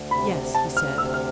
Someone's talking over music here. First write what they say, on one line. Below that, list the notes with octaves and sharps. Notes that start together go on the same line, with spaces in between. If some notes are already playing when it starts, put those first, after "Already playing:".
"Yes," he said.
Already playing: D2
C3 B5
D2 A5
F6
C3 E6
F6